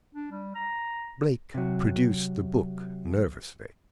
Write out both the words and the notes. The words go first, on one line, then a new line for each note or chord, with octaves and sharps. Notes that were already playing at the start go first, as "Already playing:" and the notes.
Blake produced the book nervously.
D4
G3
A#5
C3 F#3